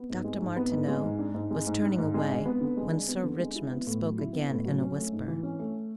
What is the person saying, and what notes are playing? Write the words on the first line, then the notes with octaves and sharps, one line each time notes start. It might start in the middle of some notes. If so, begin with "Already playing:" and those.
Dr. Martineau was turning away when Sir Richmond spoke again in a whisper.
Already playing: B3
G#2
G#3
G#2
B3
G#2
G#3
G#2
D4
G#2
G#3
G#2
D4
G#2
G#3
D4
B3
D3
G#3
D4
B3
D3
G#3
E4
B3
A2
F#3
E4
B3
A2
F#3
C#4
A3
G#2
E3
C#4
A3